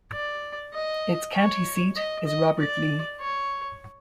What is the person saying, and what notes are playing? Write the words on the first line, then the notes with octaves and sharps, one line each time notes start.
Its county seat is Robert Lee.
D5
D#5
C#5
D#5
D#5
D5
C#5